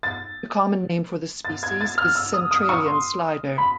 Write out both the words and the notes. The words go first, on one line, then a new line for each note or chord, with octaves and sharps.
The common name for the species is centralian slider.
A6
A6
G#6
A6
F6
E6
D#6
D#6
C#6
C6
B5